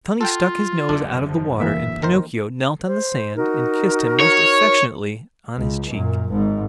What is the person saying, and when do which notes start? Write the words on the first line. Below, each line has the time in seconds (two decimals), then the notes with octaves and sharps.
The Tunny stuck his nose out of the water and Pinocchio knelt on the sand and kissed him most affectionately on his cheek.
0.21 F4 A4 F#5 G5
0.89 F#1 E2 D3 D4
1.26 F3
1.60 E3 A#3 E5
2.02 D#3 A#4 C5
2.87 C5
3.36 D#4 F#4 A#4
4.21 C#5
5.57 C#2
5.90 F#2 A#2
6.30 G#1 G#2